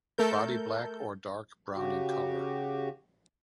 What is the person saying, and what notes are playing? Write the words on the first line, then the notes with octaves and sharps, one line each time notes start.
Body black or dark brown in color.
A3 A4 A#4 G6
C#3 F#4 G4